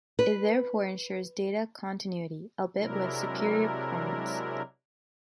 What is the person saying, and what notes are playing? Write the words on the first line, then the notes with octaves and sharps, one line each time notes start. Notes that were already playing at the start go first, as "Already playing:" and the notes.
It therefore ensures data continuity, albeit with superior performance.
B4
C3 F#3 G#3 D4 E4 A#4